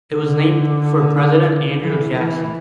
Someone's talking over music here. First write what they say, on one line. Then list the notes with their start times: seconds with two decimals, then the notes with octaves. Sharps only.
It was named for President Andrew Jackson.
0.15 D3
1.81 E3
2.15 E3